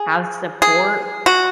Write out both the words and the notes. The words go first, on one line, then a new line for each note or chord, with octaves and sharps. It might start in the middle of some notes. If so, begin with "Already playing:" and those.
have support,
Already playing: G#4
G#4
F#4